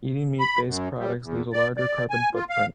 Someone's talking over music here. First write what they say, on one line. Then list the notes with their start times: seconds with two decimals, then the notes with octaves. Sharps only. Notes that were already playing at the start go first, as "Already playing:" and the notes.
Eating meat based products leaves a larger carbon foot print.
0.39 B5
0.66 F#2
0.98 G3
1.22 E2
1.53 D5
1.77 D5
2.10 G#5
2.35 F4
2.49 F5